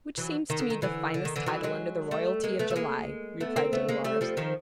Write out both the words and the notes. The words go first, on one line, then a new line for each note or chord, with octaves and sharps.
"Which seems to me the finest title under the royalty of July," replied Danglars.
E3 F#3
D#3
D3
D#3
D3 E3
D3
D#3
D3 E3
E3 F#3
F#3 G#3
G3 A3
G#3 A#3
A3 B3
A3
G#3 A#3
A3 B3
A#3 C4
A3 B3
G#3 A#3
G3 A3
F3 G3
D#3 F3